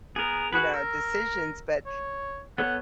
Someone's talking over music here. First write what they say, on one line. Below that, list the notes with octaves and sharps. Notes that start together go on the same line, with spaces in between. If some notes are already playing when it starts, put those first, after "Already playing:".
you know, decisions, but
B3 G#4 A#4
F#4 G#4 B4 F#5
A#4 E6
C#5
B3 A4 C#5 F#5